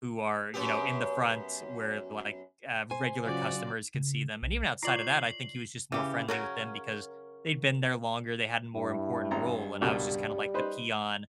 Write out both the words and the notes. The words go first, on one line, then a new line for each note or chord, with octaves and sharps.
who are, you know, in the front where, like, uh, regular customers can see them. And even outside of that, I think he was just more friendly with them because they'd been there longer, they had a more important role. And I was just kind of like the peon.
F#2 B3 G4
C5 G#5
C#3 F#3 F4 F#4 D5
C#3
B1
E4 F4 C#5 D5 A#5 C7 F#7
C#3 E3 G4
C#3 F#3 C#4 A#4
G2 E4
G#1 A#5
C#2 B2 G3 A#4
D#4 B4 C5